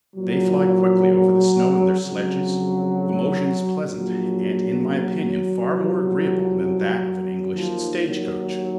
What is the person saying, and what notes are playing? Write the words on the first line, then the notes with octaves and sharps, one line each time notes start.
They fly quickly over the snow in their sledges; the motion is pleasant, and, in my opinion, far more agreeable than that of an English stagecoach.
A#1 A#2 F3 F#3
F2 C#3 F3 F#3
A#1 A#2 F3 F#3
C2 C3 F3
D#2 D#3 F3
F#3